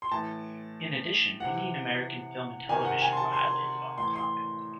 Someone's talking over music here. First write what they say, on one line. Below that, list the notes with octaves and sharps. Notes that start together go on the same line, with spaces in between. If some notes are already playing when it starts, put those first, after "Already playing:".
In addition Indian American film and television were highlighted on the blog.
C6
A2 E3 A5
C3 E3 F#5
C3 D#3 G#5
F#5
G#5
C6
A5
C6
A2 E3 C6
C6